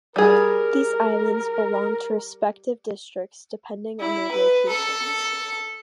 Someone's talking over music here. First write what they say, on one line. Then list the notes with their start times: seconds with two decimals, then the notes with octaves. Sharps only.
These islands belong to respective districts depending on their locations.
0.16 G3 G#4 A#4
4.00 E4
4.31 B4
4.68 A4